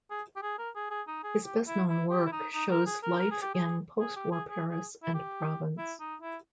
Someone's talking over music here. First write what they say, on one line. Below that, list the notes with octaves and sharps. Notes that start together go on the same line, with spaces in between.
His best-known work shows life in post-war Paris and Provence.
G#4
G4
G#4
A#4
G#4
G#4
D#4
G#4
G4
E4
E4
G4
E4
D#4
D#4
A#4
G#4
A#4
A#4
G#4
G4
G#4
G#4
G4
G#4
G#4
G#4
E4
G4
E4
D#4
E4